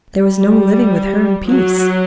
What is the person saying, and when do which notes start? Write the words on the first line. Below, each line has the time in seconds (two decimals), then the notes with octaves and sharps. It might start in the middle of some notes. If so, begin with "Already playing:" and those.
There was no living with her in peace.
0.23 G3
1.47 F#3